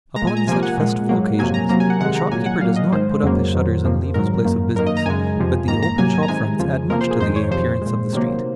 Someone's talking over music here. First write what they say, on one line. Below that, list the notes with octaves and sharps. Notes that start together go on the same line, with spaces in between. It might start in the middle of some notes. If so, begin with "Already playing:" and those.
Upon such festival occasions the shopkeeper does not put up his shutters and leave his place of business, but the open shop-fronts add much to the gay appearance of the street.
G#3 A#5
A#2
G#5
A#5
C3 F3 A#3 G#5
F#5
A#2 G#3
G#2 F#3 A#3
F2 C3 F#3 A#3 G#5
A#5
C3 F#3 A#3 A#5
G#5
F#5
C3 D#3 G#3 F#5
A#5
A#2 F#3 A#3 G#5
F#5
A#2 F#3 A#3 F5
D#5
G#2 D#3 G#3 C5
F2 C#3 F#3 A#3
F2 D#3 F#3
F2 C3 F3 A#3
G#2 D#3 F#3 A#4
F#2 D#3 A#3
F#2 D#3 A#3 A#4
D#5
A#5
F#2 C#3 G#3 G#5
F2 C3 F3
G#2 D#3 A#3 A#5
A#5
C3 F#3 A#3 G#5
G#5
A#5
C3 D#3 G#3 G#5
F2 C#3 F3
C3 F3 A#3 A#4
C5
G#4
F2 D#3 G#3 C5
C#5
F2 C3 F3 C5
A#2 G#3
C3 D#3 F#3 A#3